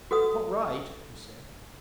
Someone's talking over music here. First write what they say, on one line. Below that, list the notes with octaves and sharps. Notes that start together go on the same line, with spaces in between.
"All right," he said.
F#4 A4 B4 F#5 D#6